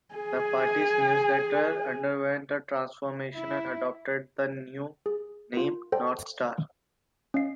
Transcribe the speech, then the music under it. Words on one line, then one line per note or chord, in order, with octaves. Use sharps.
The party's newsletter underwent a transformation and adopted the new name "North Star".
G#4 G#5
E4
G#4
F4 A#4
A4 C5 D5 G5
C#4 D#5 F5 C7